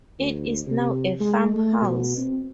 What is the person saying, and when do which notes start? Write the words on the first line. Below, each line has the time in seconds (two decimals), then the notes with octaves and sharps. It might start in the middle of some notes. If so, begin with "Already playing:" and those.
It is now a farmhouse.
0.19 D2
0.67 C3
1.20 G#3
1.52 A3
1.82 B2
2.17 C4